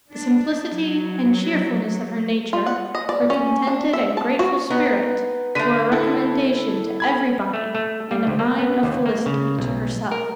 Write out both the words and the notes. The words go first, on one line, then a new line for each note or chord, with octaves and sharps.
The simplicity and cheerfulness of her nature, her contented and grateful spirit, were a recommendation to every body, and a mine of felicity to herself.
D4
F#3
F4
F#5
D#5
D5
C#4
D4
E5
A5
F#4
B3 D#4
D3 A3 B6 D#7
E4 A4
B5 G#6
A3
A3
G3
D2
A#3
B3
D#2
A#3
C#3
B1
A#4